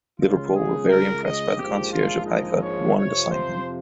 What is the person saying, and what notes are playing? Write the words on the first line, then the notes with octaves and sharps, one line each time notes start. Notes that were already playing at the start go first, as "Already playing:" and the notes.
Liverpool were very impressed by the concierge of Haifa and wanted to sign him.
C#2 C#3 G#3 F4
G#4
A#4
D#5
A#1 G#2 F3 G#3 G4
F4
D#4
C#5
F2 C3 F3 C#5
C5